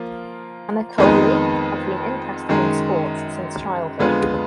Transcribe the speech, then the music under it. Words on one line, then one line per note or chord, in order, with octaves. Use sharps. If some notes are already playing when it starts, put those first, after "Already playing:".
Anatoliy has been interested in sports since childhood.
Already playing: F3 A#3 F4
F2 D#3 G#3 B3 D#4
F#2 D#3 G#3
F2 D3 G#3 B3 F4